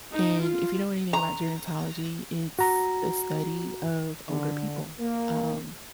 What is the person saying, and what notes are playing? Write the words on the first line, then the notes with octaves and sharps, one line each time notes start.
and if you know anything about gerontology, it's the study of older people, um,
D#4
F4
A#5
F#4 A#5
D3
A#3